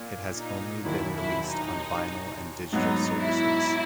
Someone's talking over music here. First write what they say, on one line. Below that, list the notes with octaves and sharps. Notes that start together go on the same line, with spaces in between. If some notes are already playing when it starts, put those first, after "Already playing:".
It has only been released on vinyl and digital services.
Already playing: A#2
D#4
E1 D#2 D#3 F#3 E4
E4
D#4
G#2 F#3 B3 D#4
E4